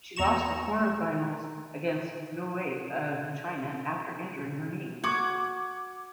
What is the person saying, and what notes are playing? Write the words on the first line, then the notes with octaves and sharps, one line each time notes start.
She lost in the quarterfinals against Luo Wei of China after injuring her knee.
E2 A#5 C#6 E7
F#4 D6 G#6